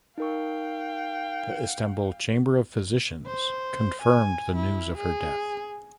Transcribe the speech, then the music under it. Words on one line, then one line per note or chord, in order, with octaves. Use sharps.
The Istanbul Chamber of Physicians confirmed the news of her death.
D#4 A#4 F5 G5 C#6
C5
G#5
E4
G#4